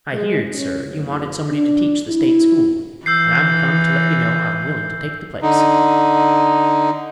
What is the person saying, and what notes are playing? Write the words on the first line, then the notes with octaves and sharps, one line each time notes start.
"I heerd, sir, you wanted somebody to teach the State school, and I'm come to let you know I'm willing to take the place."
G#3
C#4
F#1
D4
E4
E3 E6 G6 C7
D3 D#4